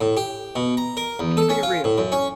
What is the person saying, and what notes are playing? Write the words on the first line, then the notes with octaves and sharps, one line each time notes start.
keeping it real.
A2
G4
B2
A#5
A#4
E2
A4
C#4
F4
A2
F#2
C#4